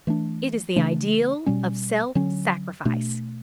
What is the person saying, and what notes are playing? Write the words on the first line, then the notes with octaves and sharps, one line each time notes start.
It is the ideal of self-sacrifice.
E3 A3 D4
C#3 E3 A3 D4
B2 G3 C#4
D3 F#3 C#4
B2 A3 D4